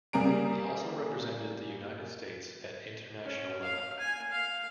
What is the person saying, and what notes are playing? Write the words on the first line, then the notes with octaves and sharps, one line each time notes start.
He also represented the United States at international level.
C#3 G3 A#3 G#4 A#5 D7
C#4
F5
G#5
F5